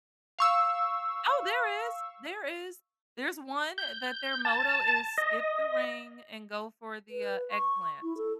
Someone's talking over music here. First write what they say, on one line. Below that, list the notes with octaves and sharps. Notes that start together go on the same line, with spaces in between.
Oh, there is, there is. There's one that their motto is "Skip the ring and go for the, uh, eggplant."
F5 C#6 E6
G6
A5
D#5
B4
C#6
E4
A4